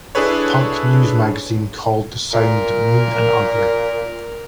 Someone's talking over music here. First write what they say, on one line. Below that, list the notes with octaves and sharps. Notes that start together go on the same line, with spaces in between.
Punk News magazine called the sound mean and ugly.
D4 E4 G#4 A4 B4 C#5
A#2 A#4